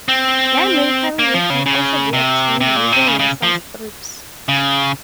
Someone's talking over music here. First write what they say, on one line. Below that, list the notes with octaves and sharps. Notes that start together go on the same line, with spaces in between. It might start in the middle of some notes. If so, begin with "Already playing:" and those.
Non-medical relief can also be obtained using nasal strips.
C4
A#3
F3
C#3
C#3
C3
C3
A#2
C3
C#3
C#3
F3
C#3